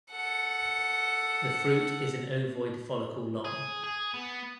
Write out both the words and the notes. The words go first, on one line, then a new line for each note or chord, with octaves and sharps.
The fruit is an ovoid follicle long.
A4 F#5
G#4
G#4
B3